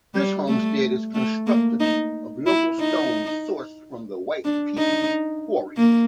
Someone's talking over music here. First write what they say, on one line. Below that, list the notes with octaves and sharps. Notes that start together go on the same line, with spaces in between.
This homestead is constructed of local stone sourced from the White Peak Quarry.
G3
A3
A3
A#3
D#4
E4
D#4
D4
D#4
A#3